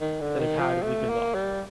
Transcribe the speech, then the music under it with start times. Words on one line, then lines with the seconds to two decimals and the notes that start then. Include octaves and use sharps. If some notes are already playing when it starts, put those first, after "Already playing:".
that I've had a weekend off.
0.01 D#3
0.21 D3
0.40 D#3
0.58 F3
0.83 A3
1.09 A#3
1.34 G3